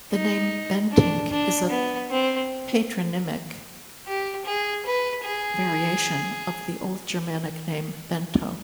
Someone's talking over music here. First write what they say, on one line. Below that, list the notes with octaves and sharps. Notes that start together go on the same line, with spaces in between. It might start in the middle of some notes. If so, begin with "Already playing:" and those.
The name Bentinck is a patronymic variation of the Old Germanic name Bento.
D#4
D4
D4
B3
C4
G4
G#4
B4
G#4